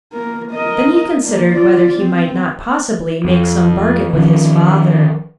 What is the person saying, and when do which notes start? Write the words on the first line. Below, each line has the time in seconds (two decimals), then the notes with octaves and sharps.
Then he considered whether he might not possibly make some bargain with his father.
0.12 A#3 A#4
0.51 A#4 D#5
1.24 A#3 D4
1.54 F4 D5
1.99 C4
3.25 F2
4.13 D#3 F3 C#4